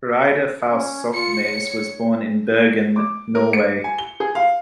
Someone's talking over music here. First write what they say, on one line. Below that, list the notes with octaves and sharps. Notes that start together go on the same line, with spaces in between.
Reidar Fauske Sognnaes was born in Bergen, Norway.
C#4
F4 C#7
C#5
D6
A#4
C#7
G#5
G7
G#4
F5